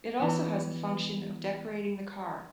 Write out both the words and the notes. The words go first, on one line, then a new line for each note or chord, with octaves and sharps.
It also has the function of decorating the car.
E3 B3